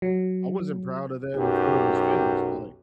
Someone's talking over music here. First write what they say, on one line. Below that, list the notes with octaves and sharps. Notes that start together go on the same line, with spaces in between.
I wasn't proud of that until it was finished, like
F#3
B1 F#2 G4